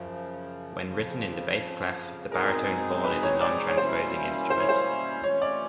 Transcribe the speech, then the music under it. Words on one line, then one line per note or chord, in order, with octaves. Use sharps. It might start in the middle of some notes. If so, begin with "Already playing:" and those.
When written in the bass clef, the baritone horn is a non-transposing instrument.
Already playing: F#2 C#3 F3
F2 C#3 F3
B2 G#3 C4 D#4 G#4 A#4
B4
C#5
D5
C#5
B2 G3 A#3 C#4 E4 C5
C5
C#5
C5
C3 E3 A3 C#4 F4 C#5
D5